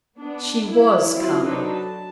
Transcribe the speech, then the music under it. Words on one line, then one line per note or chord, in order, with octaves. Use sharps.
She WAS CARMEN.
B3 D4
E4
F#3 C4 E4 F4
F#3 D4 D#4 A4 B4 C5
A5